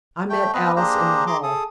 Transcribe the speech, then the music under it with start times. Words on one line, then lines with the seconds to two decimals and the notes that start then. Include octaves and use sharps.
I met Alice in the hall.
0.30 A3 G5
0.54 B3 C4 B4 D#5
0.76 A#3 D4 G4 G#4 C5 A#5
1.27 G#4 A#5 C6 D6
1.43 G#4 A4 D#6